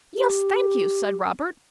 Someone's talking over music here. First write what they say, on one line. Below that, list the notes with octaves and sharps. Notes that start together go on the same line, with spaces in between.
'Yes, thank you,' said Robert.
G4